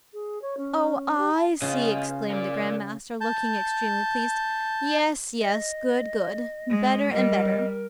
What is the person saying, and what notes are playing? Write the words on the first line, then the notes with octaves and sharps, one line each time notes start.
'Oh, I see,' exclaimed the Grand Master, looking extremely pleased; 'yes, yes--good, good--better and better.
G#4
C#5
C#4
G4
A5
C#3 F4 B4 D#5
A#4 D5
A5 G6
D#5
G#3
G3 A#4 D#5